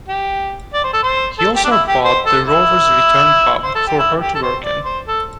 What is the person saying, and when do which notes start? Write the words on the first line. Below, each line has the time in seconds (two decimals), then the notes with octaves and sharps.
He also bought the Rovers Return pub for her to work in.
0.08 G4
0.74 D5
0.84 C5
0.93 A4
1.03 C5
1.39 A4
1.56 G4
1.64 D4
1.71 E4
1.87 G4
2.04 C5
2.26 A4
2.47 E4
3.63 C5
3.75 A4
3.87 G4
3.99 E4
4.21 G4
4.35 A4
4.43 C5
4.64 D5
4.85 C5
5.08 A4